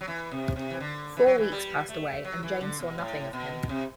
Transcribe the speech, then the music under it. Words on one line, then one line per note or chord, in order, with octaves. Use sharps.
Four weeks passed away, and Jane saw nothing of him.
F#3
E3
C3
C3
E3
D3
E3
F#3
E3
G3
A3
F#3
E3
D3
B2
A2
B2
C3